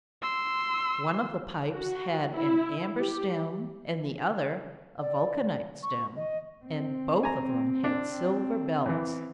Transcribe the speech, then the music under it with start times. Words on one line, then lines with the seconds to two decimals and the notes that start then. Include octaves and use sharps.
One of the pipes had an amber stem and the other a vulcanite stem, and both of them had silver belts.
0.22 C6 E6
1.74 F#4
2.33 E4
2.99 G4
5.01 D5
5.83 C#6
6.16 D#5
6.62 C4
7.23 G#5 A#5
7.84 D4
8.86 E2 E3